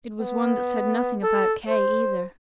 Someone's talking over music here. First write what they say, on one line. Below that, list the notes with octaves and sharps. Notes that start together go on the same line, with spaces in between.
It was one that said nothing about Kay either.
B3
A4
C5